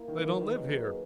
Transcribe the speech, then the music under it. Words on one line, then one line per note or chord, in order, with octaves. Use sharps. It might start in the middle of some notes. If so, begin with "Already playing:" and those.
They don't live here.
Already playing: A#3 E4 A#4
D#3
E3
E3
D#3
F#3 A#3 D#4 G#4 B4